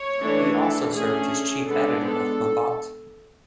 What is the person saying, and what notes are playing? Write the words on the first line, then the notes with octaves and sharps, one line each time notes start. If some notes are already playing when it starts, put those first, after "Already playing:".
He also served as chief editor of Mabat.
Already playing: C#5
E3 A3 D4
A4
D3 A3 C#4 G#4
G#3 B3 D4 A4
A4